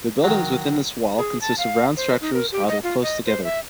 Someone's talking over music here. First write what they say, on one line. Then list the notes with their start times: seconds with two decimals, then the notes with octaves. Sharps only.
The buildings within this wall consist of round structures huddled close together.
0.24 D#3 F#3
1.18 G#4
1.41 A5
1.58 F5
1.97 C5
2.21 D#4
2.34 A#4
2.52 G4
2.68 D#5
2.83 F4
3.02 D#5
3.26 C5
3.44 E5